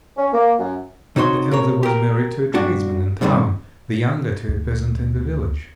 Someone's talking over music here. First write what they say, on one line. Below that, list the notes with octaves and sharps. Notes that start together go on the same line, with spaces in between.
The elder was married to a tradesman in town, the younger to a peasant in the village.
C#4
A#3
F#2
C3 D#4 F#4 C#5 C6
C3 A#4 C#5
G4 A#4
G2 D4 F#4
C#2 F#2 C3 D#3 G3
D2